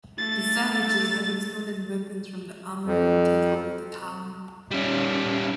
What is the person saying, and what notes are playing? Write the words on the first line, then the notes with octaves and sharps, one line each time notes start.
The Savages, having stolen weapons from the Armory, take over the town.
A3 A6
F2
G3 C#4